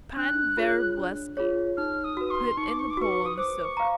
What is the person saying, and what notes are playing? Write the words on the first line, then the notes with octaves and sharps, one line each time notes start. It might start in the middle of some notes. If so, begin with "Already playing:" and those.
"Pan Vrublevsky," put in the Pole on the sofa.
D4 F#6
F4 G#4 C#5
D4
F4 G#4 C#5
D#4 F6
D#6
F#4 B4
C6
D#4 C#6
D6
C#6
D6
F#4 B4 C#6
D#6
C5 D6
C#6
F5 A#5